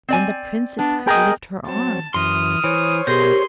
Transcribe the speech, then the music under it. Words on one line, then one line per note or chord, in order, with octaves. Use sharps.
Then the Princess could lift her arm.
C4 D5 G#5
B3 D4
G#4 A#4 D#5 G5
F#3 C4 A5
F#2 E3 C6 D#6 F6
E3 C5 C#5
B2 G4 G#4 A#4 C6